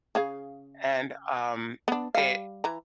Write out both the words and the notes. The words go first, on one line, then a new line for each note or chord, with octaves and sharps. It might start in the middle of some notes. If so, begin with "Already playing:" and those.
and, um, it
C#3 G#4 F5
B3 D4
G3 F5
E3 A#5